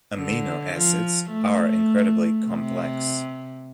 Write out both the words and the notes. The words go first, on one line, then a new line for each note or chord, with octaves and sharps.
Amino acids are incredibly complex.
D3
F3
A3
C3